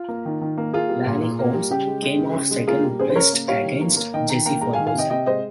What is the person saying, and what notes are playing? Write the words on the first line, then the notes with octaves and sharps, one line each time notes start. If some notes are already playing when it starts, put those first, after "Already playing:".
Larry Holmes came off second-best against Jesse Ferguson.
Already playing: F4
A#3
D#3
D#3
A#3
A#3 F4 G#4
G3
A#2
A#2
A#3
G3
C#3 G4
G#3
G#3
C#3
C#3
G#3
A#3 F4 G#4
G3
C#3 G#4 C5
C5
C#3 A#4 C#5
A#3
G3 C#5 F5
D#3
A#3
A#3
D#3 D#5 G5
D#3 G5 A#5
A#3 G5 A#5
G#3 G5 A#5
F5 G#5
D#3
F5 G#5
C3 D#5 G5
C3 D#5 G5
G#3 C5 D#5